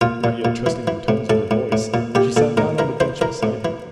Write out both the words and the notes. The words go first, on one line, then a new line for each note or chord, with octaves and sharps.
Not yet trusting the tones of her voice, she sat down on the bench beside him.
A#2 F4
A#2
A#2
E3
E3
A2
A2 A4
A2
A2
A#2
A#2 G4
A#2 A4
A2 A#4
E3 A#4
E3 C5
E3 A#4
A2
E3